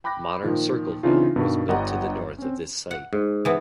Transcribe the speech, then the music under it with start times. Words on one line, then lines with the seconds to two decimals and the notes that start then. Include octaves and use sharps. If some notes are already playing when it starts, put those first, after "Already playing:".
Modern Circleville was built to the north of this site.
0.04 G5 B5 D6 F#6 A#6
0.43 A#2 D#3 F3
1.03 C#3 E3 C4 D4 D#4 F4
1.36 G2 B2 D#3
1.68 G1 G3 D#5 F#5 A#5
2.38 C4 C#4
2.91 F#5
3.13 G#2
3.45 E3 B3